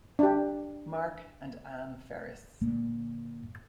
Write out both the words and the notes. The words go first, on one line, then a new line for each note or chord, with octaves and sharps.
Mark and Anne Ferris.
D4 G4
A#2 D3